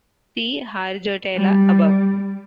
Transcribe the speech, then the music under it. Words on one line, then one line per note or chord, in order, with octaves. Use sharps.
See harjoitella above.
G3